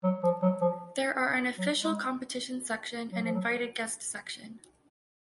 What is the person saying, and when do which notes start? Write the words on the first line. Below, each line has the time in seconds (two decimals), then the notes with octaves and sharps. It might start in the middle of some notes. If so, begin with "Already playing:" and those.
There are an official competition section and invited guest section.
0.04 F#3
0.23 F3
0.42 F#3
0.61 F3
1.58 F#3
1.83 G#3
3.12 F#3
3.23 F3
3.34 F#3